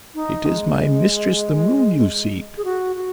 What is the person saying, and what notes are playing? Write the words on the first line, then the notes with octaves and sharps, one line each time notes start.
'It is my mistress, the Moon, you seek.
D#4
G#3
G#4
F#4
F#4